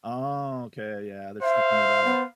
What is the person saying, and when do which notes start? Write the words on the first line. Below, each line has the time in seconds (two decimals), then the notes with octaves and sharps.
Okay, yeah, they're switching it out.
1.42 C5 E5 F5
2.04 B3